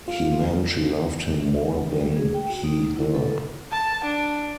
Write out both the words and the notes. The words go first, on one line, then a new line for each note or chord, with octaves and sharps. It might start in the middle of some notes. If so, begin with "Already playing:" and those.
He meant she loved him more than he her.
F4
G3
G#4
G5
F#4
D#4
E4
A4
A5
D4